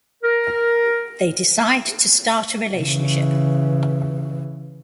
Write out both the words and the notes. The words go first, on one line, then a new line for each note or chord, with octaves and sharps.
They decide to start a relationship.
A#4
C#3 E3